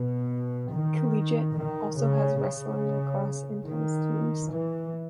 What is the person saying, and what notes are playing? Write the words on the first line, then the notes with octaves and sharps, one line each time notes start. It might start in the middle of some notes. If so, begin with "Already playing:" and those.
Collegiate also has wrestling, lacrosse, and tennis teams.
Already playing: B2
D#3
D#3
C#3
C#3
D#3
E3